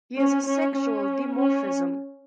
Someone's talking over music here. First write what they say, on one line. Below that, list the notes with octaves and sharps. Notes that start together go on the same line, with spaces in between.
He has a sexual dimorphism.
C#4
C#4
C#4
C#4